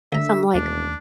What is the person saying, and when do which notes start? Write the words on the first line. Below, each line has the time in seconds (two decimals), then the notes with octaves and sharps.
some, like,
0.13 D2 D3 E5 A#5
0.54 E1 D#2 A3 C#4 D4